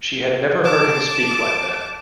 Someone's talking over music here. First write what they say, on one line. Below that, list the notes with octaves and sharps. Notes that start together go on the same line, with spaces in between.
She had never heard him speak like that.
A5 D6